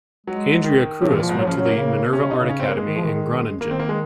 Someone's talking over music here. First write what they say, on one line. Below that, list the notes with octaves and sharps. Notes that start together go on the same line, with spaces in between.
Andrea Kruis went to the Minerva Art Academy in Groningen.
F#3 G#3
D#3
C3 F#3
A#2 F3
D#3
A#2 F3
G#2
A#2 F#3
C#3 F3
C#3 F#3
A#3
C#3
C3 C#4
C#3
C3 D#4
C#3
C#4
C4
A#3
G#3
D#3
F3
D#3
D#3 A#3
C4
A#3
G#3